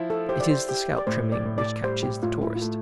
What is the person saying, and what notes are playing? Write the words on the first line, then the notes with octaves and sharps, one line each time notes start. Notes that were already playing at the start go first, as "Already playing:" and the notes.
It is the scalp trimming which catches the tourist.
Already playing: F3 E4
A4
G4 C5
D5
C5
G4
D5
A2 C5
D5
A2
D5
G3 C5
G4
A2 F4
E4
F4
A3